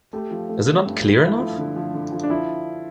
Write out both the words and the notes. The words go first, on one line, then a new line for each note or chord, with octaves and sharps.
Is it not clear enough?
A3 G4
F3
A3
A3
G2
A3
A3 E4
F3
D3
F3
D3
F3
D4
F3 E4